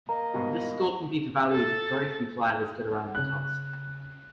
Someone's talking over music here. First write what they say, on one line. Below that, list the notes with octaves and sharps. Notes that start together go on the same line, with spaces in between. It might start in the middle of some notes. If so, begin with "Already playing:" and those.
This score can be devalued if very few gliders get around the task.
A#3 D#5 A#5
G#2 B2 G3
A4 A6
C#3 F#6